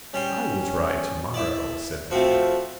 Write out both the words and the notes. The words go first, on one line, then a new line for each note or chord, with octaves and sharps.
"I will try to-morrow," said the cat.
G3 C#4 C5
E4 D5
F3 A3 C4 F#4